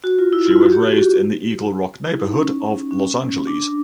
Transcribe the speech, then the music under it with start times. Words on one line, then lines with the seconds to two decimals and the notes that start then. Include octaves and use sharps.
She was raised in the Eagle Rock neighborhood of Los Angeles.
0.04 F#4
0.19 F4
0.33 E4
0.47 F4
0.61 F#4
0.72 G4
0.83 F#4
2.05 E4
2.19 D#4
2.33 C#4
2.91 C#4
3.47 D4